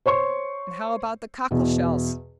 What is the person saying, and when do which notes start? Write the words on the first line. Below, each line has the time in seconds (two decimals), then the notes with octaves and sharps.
"And how about the cockle-shells?"
0.06 C5 C#5 C6 C#6
1.51 E2 B2